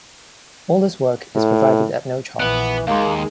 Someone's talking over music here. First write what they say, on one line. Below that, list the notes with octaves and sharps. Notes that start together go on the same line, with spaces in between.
All this work is provided at no charge.
A2
A#1 E3 B3 B4 F#6 D7
D#2 D#3 G#3 A#3 F5 C6